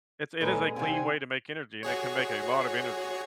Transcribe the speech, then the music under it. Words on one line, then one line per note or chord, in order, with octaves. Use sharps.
It's it is a clean way to make energy, and it can make a lot of energy.
A#2 G#3 C#4 G#4 A4 B4 C#5 A#5
C3 G3 C4 D#4 F5 G#5
F#4 G#4 C#5